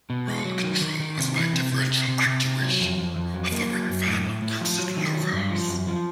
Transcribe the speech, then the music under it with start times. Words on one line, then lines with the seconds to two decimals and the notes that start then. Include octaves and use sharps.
Roll control was by differential actuation of the wing-fan exit louvers.
0.10 B2
0.27 G#3
0.45 F#3
0.64 D#3
0.82 D#3
1.00 D#3
1.18 C3
1.36 E3
1.53 C3
1.72 C3
1.90 C3
2.08 C3
2.26 C3
2.44 C3
2.61 F#3
2.80 F2
2.98 F2
3.16 F2
3.34 F#3
3.52 A#3
3.70 F#3
3.89 F#2
4.06 A2
4.24 A2
4.42 A2
4.61 F3
4.79 F#3
4.97 D#3
5.14 F#3
5.33 G2
5.51 F3
5.68 F#2
5.87 F3